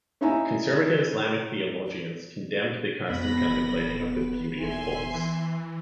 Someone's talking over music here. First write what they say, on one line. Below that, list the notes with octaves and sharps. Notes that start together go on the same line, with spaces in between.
Conservative Islamic theologians condemned the custom of contemplating the beauty of boys.
C#4 D#4 E4 E5 G#5 A#5
F2 B3 B5 A#6
D#1
B4
D#1 E5 G#5 C6
E3